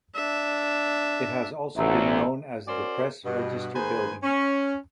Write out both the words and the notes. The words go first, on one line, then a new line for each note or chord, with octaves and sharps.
It has also been known as the Press Register Building.
D4 E5
A1 D2 E5 A#5 E6
C#4 F#4 A#4 C5 D5
G2 B2
D#3 A#3 G#4 B4 C5 G#5
C#4